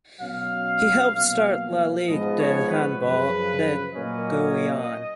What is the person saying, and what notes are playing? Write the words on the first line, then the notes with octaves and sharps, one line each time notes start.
He helped start La Ligue de Handball de Guyane.
B2 F#3 C#4 F5
B2 F#3 A#3
G#2 F3 G#3 B3 D#5
C#5
B4
F#2 C#3 F3 B4
A#2 F#3 A#3 C#4 D#5